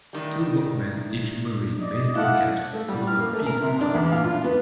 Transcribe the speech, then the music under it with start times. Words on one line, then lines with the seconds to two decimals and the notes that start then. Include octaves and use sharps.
Two workmen, each wearing baseball caps, saw a piece of wood.
0.13 A2 D#3 G3
1.81 D5 D#5
2.15 E4 A4 F5 F#5
2.73 A3
2.88 G3
3.07 F6
3.19 A#3
3.33 A3
3.46 A#4
3.62 C3
3.81 D4
3.95 E2
4.12 F5
4.24 F4
4.44 B3